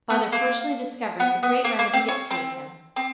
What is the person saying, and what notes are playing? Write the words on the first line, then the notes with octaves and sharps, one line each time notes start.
Father fortunately discovered the great remedy that cured him.
B3
A#3
B3
B3
A#3
A#3
C4
C#4
C4
C4